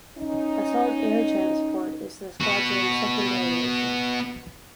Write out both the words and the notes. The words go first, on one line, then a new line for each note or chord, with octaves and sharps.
Assault air transport is the squadron's secondary mission.
C#4 D#4
B3 F#4